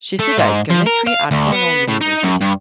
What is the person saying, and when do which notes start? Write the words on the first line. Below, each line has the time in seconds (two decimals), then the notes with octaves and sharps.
She studied chemistry at Cornell University.
0.19 A3
0.37 G#2
0.70 F3
0.86 A#4
1.07 F5
1.31 D2
1.52 B3
1.88 A2
2.01 D#4
2.23 F#2
2.41 G2